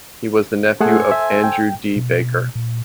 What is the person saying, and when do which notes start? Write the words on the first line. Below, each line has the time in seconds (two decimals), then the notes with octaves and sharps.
He was the nephew of Andrew D. Baker.
0.81 A3 G#4 A4 C5 F#5 G#5
1.12 E5
1.44 G5
1.96 B2
2.55 A#2